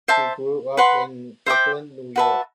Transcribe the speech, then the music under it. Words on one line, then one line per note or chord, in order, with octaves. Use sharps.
She grew up in Brooklyn, New York.
C5 E5 A5
B4 F#5 C6
C5 E5 G5 D6
F#4 B4 E5 A5